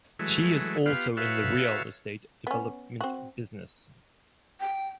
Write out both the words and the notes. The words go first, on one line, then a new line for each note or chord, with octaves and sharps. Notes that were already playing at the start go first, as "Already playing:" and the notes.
She is also in the real estate development business.
E3 F#3 G#3 A3
B3 F4 G4 F5
F#4 A4 B4 C#5 E5 F5
B3 C#4
C4 F#4
G5